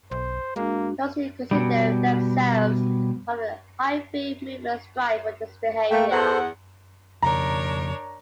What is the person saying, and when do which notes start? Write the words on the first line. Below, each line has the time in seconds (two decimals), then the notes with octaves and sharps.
Those who consider themselves part of the hyphy movement strive for this behavior.
0.11 B1 C5
0.56 G#3 A#3 D4 F#4
1.51 B2 F#3 G3
5.91 A3 A#3 G5
6.11 E2 A4 C5 F#5
7.22 F2 C#3 D4 A#4 C#5 A#5